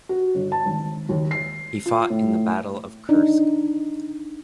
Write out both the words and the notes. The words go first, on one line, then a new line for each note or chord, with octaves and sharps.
He fought in the battle of Kursk.
F#4
G1
A5
G#1
D#2
C7
F4
A2
D4 D#4